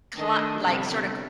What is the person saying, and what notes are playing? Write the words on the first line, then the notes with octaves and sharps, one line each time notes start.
cla like, sorta
D#3 A3 D4 A4 D#5
G1 F2 C3 G3 D4